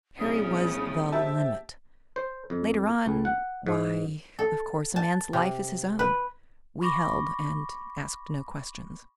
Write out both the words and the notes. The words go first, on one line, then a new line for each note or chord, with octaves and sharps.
But Terry was "the limit." Later on--why, of course a man's life is his own, we held, and asked no questions.
C2 A#2 C#3 F3 D#6
G4 C5 E5 A5
C5
F2
C#2
F#5
G#2
A4
A5
C3
B4
B5 C#6 D6 A#6